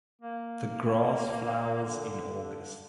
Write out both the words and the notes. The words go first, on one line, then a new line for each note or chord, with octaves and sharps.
The grass flowers in August.
A#3
D3